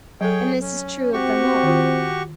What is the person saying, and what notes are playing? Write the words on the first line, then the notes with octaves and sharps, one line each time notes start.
And this is true of them all.
F#3 G#4 A4 C#5 G5
C#4
C4 F#4 G4 C#6
D#3 F4